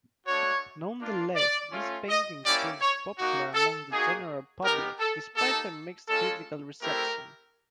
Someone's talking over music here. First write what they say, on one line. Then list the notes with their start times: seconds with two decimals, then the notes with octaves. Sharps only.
Nonetheless, these paintings proved popular among the general public, despite their mixed critical reception.
0.26 A3 D4 F#4 C#5
0.99 A#3 D4 F4
1.36 D5
1.72 A3 C#4 F4
2.09 D#5
2.45 A#3 C#4 E4 G4 D5
2.81 C#5
3.18 A#3 D#4 F#4
3.54 A4
3.90 A#3 D#4 F#4 G#4
4.63 B3 D#4 G4 A#4
5.00 A4
5.36 A#3 D#4 G4 A4
6.08 G#3 C#4 F4 A4
6.82 A3 C4 E4 G4 A#4